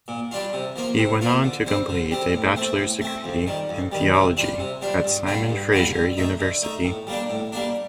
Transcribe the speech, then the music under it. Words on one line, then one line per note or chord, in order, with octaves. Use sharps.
He went on to complete a Bachelor's degree in theology at Simon Fraser University.
A#2
G3 D4 F4
C3
F3 A#3 F4
C3
F3 A#3 F4
D3
G3 C4
D3
G3 C4
A2
A3 C4
A2
A3 C4
F2
D#3 G3
F2
D#3 G3
C3
G3 D4 F4
C3
G3 D4 F4
G2
D3 G3 D4 F4
G2
D3 G3 D4 F4
D3
A3 D#4
D3
A3 D#4
A2
G3 A#3 D4
A2
G3 A#3 D4